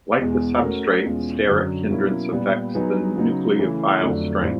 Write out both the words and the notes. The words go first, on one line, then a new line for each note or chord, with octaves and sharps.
Like the substrate, steric hindrance affects the nucleophile's strength.
E2 B2 G#3
A3 C#4 F#4 A#4
E2 B2 G#3 C#4 F4
F#2 D3 F#3
B2 F#3 A#3 C#4 E4
A#2 G3 B3
F#3 B3 D#4 G#4 B4
C#3 F#3 B3 D#4
C#3 E3 A3 C#4 E4
F2 D3 F#3 A3 D4
A2 E3 G3 C4 F4